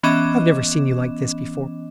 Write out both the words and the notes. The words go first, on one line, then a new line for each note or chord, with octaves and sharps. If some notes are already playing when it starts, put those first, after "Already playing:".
I've never seen you like this before.
E3 B3 C#4 D#5 D6 E7